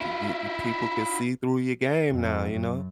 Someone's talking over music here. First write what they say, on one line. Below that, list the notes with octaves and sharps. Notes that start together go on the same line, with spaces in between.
p g p people can see through your game now, you know?
E4 F4
F2
F#2